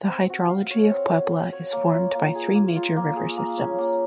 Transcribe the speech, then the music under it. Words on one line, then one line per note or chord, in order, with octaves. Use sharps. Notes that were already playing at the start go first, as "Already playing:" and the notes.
The hydrology of Puebla is formed by three major river systems.
C4
F#4
F5
C#5
C4
F#4
F5
C#5
A#3
F4
A#3
G#4
A#3
F4
A#3
G#4
A#3
C#4
A#3